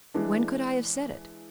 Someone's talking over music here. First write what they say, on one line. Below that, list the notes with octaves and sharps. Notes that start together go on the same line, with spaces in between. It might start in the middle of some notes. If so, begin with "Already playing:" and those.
"When could I have said it?"
E3 G#3 D4